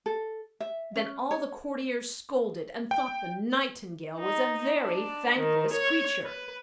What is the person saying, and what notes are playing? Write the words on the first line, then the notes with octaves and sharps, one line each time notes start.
Then all the courtiers scolded, and thought the Nightingale was a very thankless creature.
A4
E5
C#4
C#5
G5
D#4
D4
D#3
C#5
B4